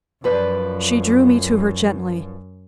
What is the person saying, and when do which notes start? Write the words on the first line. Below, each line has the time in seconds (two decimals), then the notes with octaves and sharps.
She drew me to her gently.
0.24 F#2 F3 B4 D5